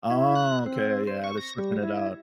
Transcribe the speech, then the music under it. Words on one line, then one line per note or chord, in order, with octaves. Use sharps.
Okay, yeah, they're switching it out.
E4
F#6
C4
C5
C#6
A#6
G3
E4